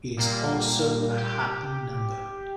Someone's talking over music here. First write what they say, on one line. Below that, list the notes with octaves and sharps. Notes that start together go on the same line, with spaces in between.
It is also a happy number.
A#2 G3 A#3
G4